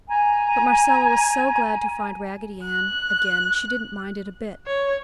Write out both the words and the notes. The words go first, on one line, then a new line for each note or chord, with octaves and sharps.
But Marcella was so glad to find Raggedy Ann again she didn't mind it a bit.
G#5 A#5
F#6
C#5